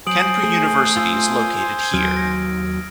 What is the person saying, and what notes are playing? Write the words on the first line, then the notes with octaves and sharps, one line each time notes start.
Kanpur University is located here.
F#3 C5 G#5 D#6 D7 F#7
A3 G#4
F4 E6
D#2 F#3 F6 G#6 D7
A#6